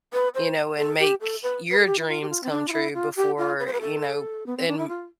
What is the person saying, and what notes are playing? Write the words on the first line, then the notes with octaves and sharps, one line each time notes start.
you know, and make your dreams come true before, you know, and
B4
C5
A4
G4
A4
B4
B4
A4
G4
E4
F4
G4
F4
C4
D4
F4
E4
F4
G4
F4
B4
C5
B4
A4
B3
C4
D4
E4
F4